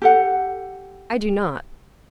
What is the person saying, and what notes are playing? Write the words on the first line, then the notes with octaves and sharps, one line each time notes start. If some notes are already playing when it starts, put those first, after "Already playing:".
"I do not."
G4 A4 F#5